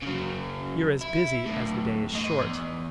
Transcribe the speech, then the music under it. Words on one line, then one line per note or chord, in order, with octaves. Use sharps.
"You're as busy as the day is short!"
C#3 F#3
E4
D2 A2
G#2 D#5
E2